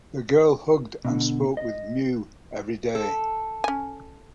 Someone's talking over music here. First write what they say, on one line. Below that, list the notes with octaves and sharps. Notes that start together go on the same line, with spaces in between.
The girl hugged and spoke with Mew every day.
B2 D3
D#5
A4
C#4 G#5